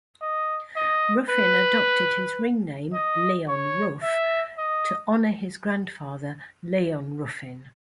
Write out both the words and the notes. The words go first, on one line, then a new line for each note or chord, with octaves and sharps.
Ruffin adopted his ring name "Leon Ruff" to honor his grandfather Leon Ruffin.
D#5
D#5
B4
D#5
C#5
E5
D#5